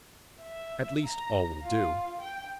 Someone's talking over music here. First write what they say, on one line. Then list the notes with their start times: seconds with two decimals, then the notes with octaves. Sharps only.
At least all will do.
0.40 E5
1.05 A#5
1.63 F4
2.21 G5